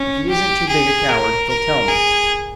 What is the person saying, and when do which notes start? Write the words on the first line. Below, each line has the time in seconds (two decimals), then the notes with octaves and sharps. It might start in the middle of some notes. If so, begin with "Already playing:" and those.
If he isn't too big a coward, he'll tell me.
Already playing: C#4
0.29 G4
0.68 G#4
1.09 A#4
1.48 A#4
1.88 G#4